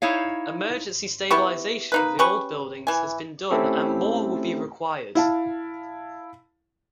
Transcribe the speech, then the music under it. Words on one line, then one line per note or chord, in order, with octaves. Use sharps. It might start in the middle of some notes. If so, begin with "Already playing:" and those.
Emergency stabilization of the old buildings has been done and more will be required.
D#4 E4 C#5 F5
B3 E4 G4 C#6
A#3 D#4 B4
C#4 G4 B4 C#6
E3 G#5
A3 C4 C#4 E4 G4 A4
E4 F5 A5